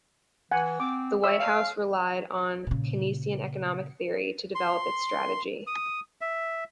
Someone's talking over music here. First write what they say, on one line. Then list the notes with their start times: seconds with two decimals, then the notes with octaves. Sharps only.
The White House relied on Keynesian economic theory to develop its strategy.
0.51 E3 F#5 G#5
0.80 C4 D6
1.24 C#5 E5 E6
1.40 F5
2.67 A#2 C#3
4.55 C6
5.67 D#6
6.21 E5